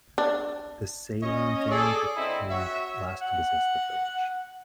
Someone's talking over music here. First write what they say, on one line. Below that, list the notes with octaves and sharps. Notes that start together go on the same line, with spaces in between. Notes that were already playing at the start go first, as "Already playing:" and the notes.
The Seilern family became the last to possess the village.
D4
C#4 C#5 D#5
G#4 A4 D5
D3 C4 D#4 E4
F#4 C#5 E5
F#5